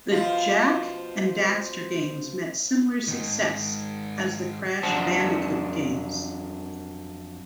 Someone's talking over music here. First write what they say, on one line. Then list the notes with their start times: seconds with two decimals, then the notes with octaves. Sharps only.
The "Jak and Daxter" games met similar success as the "Crash Bandicoot" games.
0.11 B2 F3 F4 C5
3.08 G#2 D#3
4.83 F2 F#3 D4 C5 F#5 A5